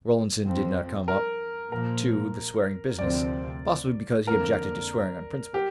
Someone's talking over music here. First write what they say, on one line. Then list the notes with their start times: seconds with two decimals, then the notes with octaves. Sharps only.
Rollinson did not come up to the swearing business; possibly because he objected to swearing on principle.
0.44 F2 F3 C4
1.08 A#4
1.71 A#2 F3 A#3 A#4
2.99 D2 C3 F3 C4 D5
4.27 F2 D3 A#3 A#4
5.54 G4